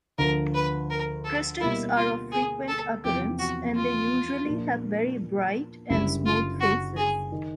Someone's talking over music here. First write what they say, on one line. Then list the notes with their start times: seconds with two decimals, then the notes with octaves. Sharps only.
Crystals are of frequent occurrence and they usually have very bright and smooth faces.
0.18 D2 D3 F3 A#4
0.54 B4
0.90 A#4
1.25 A4
1.60 B2 G3 A#3 E4
1.97 F4
2.32 G#4
2.68 A4
3.04 E2 C3 F3 G4
3.39 F#4
3.75 F4
4.46 A#2 F3 A#3 D4
5.90 F#1 F#2 D3 G3 E4
6.26 F4
6.60 F#4
6.96 G#4
7.32 D#3